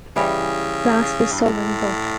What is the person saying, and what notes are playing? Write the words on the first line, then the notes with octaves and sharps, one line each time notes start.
Last is Sullivan Gulch.
C#3 E3 G3
G2
A2